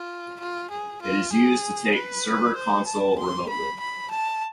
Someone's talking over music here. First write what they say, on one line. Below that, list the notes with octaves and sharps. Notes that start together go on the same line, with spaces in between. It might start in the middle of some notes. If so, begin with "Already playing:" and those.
It is used to take the server console remotely.
Already playing: F4
F4
G#4
F4
G#4
B4
C5
A5
C6
B5
B5
A5